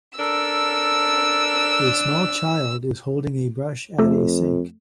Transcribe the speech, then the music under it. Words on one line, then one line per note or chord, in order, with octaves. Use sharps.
A small child is holding a brush at a sink.
D4 A4 A#4 E6
F2 A3 A4